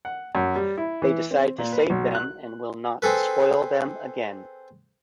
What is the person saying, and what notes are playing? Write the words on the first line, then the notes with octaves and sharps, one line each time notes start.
They decide to save them and will not spoil them again.
F#5
F#2
G3
E4
E3
C4
A#2
B4
B1
F#6
C4 G#4 A4 B4